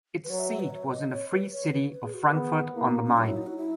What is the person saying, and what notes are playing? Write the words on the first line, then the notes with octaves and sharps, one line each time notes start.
Its seat was in the Free City of Frankfurt on the Main.
B4
F#3 C#5
E5
E5
B4
C#5
D#5
C#5
B4
C#5
B4
B4
G#4
F#4
A#4
B3 G#4
A#3 E4
D#4
C#4
F#3 D#4
E4
D#4
F#4
E4